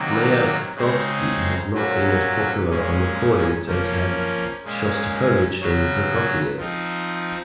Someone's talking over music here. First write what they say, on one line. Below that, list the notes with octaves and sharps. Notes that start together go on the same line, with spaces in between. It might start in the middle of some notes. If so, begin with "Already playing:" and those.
Myaskovsky has not been as popular on recordings as have Shostakovich and Prokofiev.
Already playing: C3 D#3 F#3 A#3
C#3 G#3 C4 D#4
A#2 F#3 C#4
A#2 G#3 C#4
F3 A#3 C#4
A#2 G#3 C#4
C#3 F#3 C#4
F3 C4 D#4